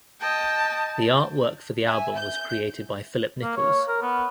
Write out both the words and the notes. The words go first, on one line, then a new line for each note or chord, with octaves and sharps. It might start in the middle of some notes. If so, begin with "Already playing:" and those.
The artwork for the album was created by Phillip Nichols.
D#5 G5 A5
E5 G#5
G6
A#3
C#5
A#4
B3